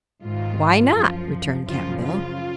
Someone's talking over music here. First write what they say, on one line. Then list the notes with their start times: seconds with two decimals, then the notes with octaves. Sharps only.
"Why not?" returned Cap'n Bill.
0.23 G#2 D#3 F4
0.95 F#2 F3
1.67 F#2 C#3 F3 F4
2.02 F4